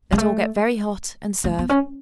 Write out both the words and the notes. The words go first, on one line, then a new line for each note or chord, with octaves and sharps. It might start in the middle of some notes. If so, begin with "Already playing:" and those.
Let all get very hot and serve.
G#3
A3
A3
B3
C#4